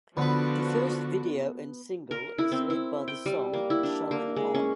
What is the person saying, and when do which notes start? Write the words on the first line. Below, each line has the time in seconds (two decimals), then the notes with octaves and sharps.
The first video and single is led by the song "Shine On".
0.17 D3 F3 B3 D4 F#4 B4
2.11 A#4
2.38 E4
2.52 C4
2.70 E4
3.08 G5
3.26 G3
3.53 A#3
3.70 E4
3.83 D4
4.11 A#3
4.36 G#3
4.55 C#4